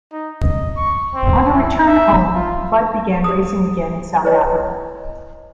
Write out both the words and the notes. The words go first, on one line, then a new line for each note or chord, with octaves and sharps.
On her return home, Budd began racing again in South Africa.
D#4
D#5
C#6
C4
E4
E5
F4
G4 D#6
E4 B4 C#5 D#5